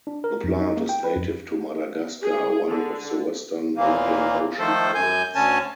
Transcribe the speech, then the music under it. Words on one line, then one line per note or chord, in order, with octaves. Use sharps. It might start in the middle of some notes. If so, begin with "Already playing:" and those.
The plant is native to Madagascar, one of the western Indian Ocean islands.
D4
A#4
F2
D#4
A#3
G5
B4
F2
G#4
D3
D#2 A#2 E3 A#3
D#3 F3 A3 A4 C5
F#2 G#5 G6
D2 D3 C#4 G#5 A5